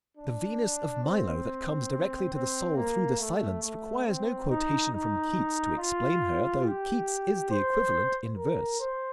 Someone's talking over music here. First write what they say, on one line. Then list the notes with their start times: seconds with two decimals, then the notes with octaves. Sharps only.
The Venus of Milo, that comes directly to the soul through the silence, requires no quotation from Keats to explain her, though Keats is the equivalent in verse.
0.17 D4
1.04 C4
2.33 C4
2.76 A#3
3.19 A3
3.62 A3
4.05 C4
4.49 D#4
4.91 D#4
5.78 F4
6.64 G4
7.50 C5
8.36 A#4
8.79 C5